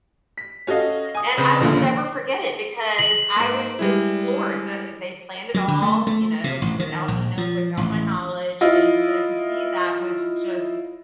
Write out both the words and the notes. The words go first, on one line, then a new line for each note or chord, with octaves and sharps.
and I will never forget it because I was just floored, but, eh, they planned it all, you know, without me know without my knowledge, and so to see that was just
B6
C#4 F#4 A4 D#5 F5
G#5 D#6
C#3 C4 B4 C5
A#1 D#2 A#2 D3 F3
F#7
G#2 A#3
G3 G#3 E4
F#3
D3
A3
A3
C3
A1
D#3
A#1
F3
A1
E4 F4 D#5